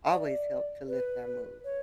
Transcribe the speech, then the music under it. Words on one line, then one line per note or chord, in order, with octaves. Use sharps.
always help to lift our mood.
E5
D5
B4
C#5